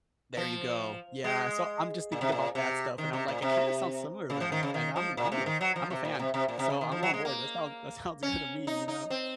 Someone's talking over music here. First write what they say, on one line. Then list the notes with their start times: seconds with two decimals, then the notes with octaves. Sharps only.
There you go. Yeah, so, I'm just thinking about that stuff, and I'm like, "It kinda sounds similar to that," and I'm I'm a f I'm a fan, so I'm on board, that sound that sounds good to me, you know?
0.37 F3
1.24 G#3
2.12 A#2
2.21 C3
2.32 A#2
2.55 C3
2.98 D#3
3.13 C3
3.28 A#2
3.42 C3
4.30 C#3
4.41 F3
4.52 D#3
4.63 C#3
4.74 D#3
4.96 F3
5.17 A#2
5.32 C3
5.46 D#3
5.61 F#3
5.76 F3
5.90 C3
6.05 A#2
6.19 C3
6.34 C3
6.48 A#2
6.59 C3
6.70 C#3
6.81 D#3
6.92 F3
7.03 F#3
7.14 G#3
7.25 A#3
8.23 C#4
8.67 D#4
8.88 D#4
9.10 C4